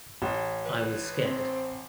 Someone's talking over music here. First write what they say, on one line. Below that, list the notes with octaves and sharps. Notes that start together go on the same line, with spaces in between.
I was scared.
A1
B4
C4